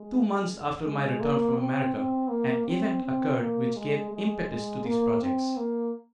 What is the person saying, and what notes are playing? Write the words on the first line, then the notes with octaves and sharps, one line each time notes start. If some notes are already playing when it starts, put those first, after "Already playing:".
Two months after my return from America, an event occurred which gave impetus to these projects.
Already playing: G#3
G#3
A#3
C4
C4
A#3
C4
C4
A#3
G#3
G#3
G#3
A#3
C4
A#3